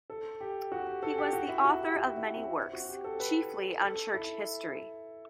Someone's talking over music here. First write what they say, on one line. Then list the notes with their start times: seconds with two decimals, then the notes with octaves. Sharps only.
He was the author of many works, chiefly on church history.
0.10 A4
0.41 G4
0.72 F#4
0.87 G4
1.03 A4
1.18 G4
1.33 F#4
1.49 E4
1.65 F#4
1.81 G4
1.96 F#4
2.17 E4
2.37 C4
2.58 C4
2.73 F#4
2.89 G4
3.04 A4
3.20 B4
3.83 A4
4.14 E4